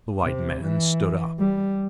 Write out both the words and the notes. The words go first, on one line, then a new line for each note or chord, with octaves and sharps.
The white man stood up.
C3
E3
G3